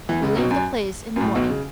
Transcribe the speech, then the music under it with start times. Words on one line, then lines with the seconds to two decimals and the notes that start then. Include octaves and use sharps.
We'll leave the place in the morning.
0.09 E2 E3
0.22 C#2 C#3
0.36 B1 B2
0.51 F#2
1.16 F#2
1.21 A2
1.35 B1 B2
1.50 C#3